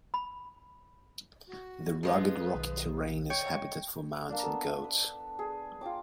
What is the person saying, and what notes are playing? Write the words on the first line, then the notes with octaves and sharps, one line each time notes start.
The rugged rocky terrain is habitat for mountain goats.
B5
F#4
F3 G#3 F4 B4
B1 D#3
C#5 D#5 G5
A#3 D4
B3 A4
B4
G#4
F4 D5 G5 D6